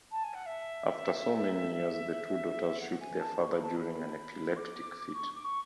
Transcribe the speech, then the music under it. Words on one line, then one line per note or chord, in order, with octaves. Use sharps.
After so many years the two daughters shoot their father during an epileptic fit.
A5
G#5
F#5
E5
F#5
G#5
A5
C#6
B5
A5
B5
D6
C#6
D6
C#6